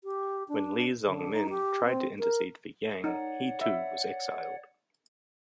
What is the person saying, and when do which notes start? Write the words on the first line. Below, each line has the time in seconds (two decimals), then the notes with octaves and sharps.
When Li Zongmin tried to intercede for Yang, he too was exiled.
0.04 G4
0.49 D4
1.07 D3
1.32 D#4
1.49 G4
1.85 C4
2.19 A#4
3.04 D#4 C#5 D5 F#5
3.61 E5